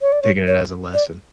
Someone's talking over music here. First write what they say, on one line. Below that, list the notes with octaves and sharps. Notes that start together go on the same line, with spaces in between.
taking it as a lesson.
C#5
D5
C#5
C#5
D5